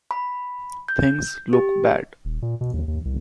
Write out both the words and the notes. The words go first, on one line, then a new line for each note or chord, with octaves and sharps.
Things look bad.
B5
G6
G4
D#1
A#2
B2
D#2
D#2
C2